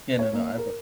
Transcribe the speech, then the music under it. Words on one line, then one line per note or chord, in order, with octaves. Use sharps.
Yeah, no, no, I've got
C#5
A#3
A#4